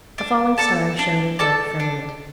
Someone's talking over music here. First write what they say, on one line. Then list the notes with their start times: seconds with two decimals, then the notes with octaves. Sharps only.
A falling star shone in the dark firmament.
0.18 D4
0.58 A4 D5 A5
0.99 D4
1.39 A4 D5 A5
1.80 D4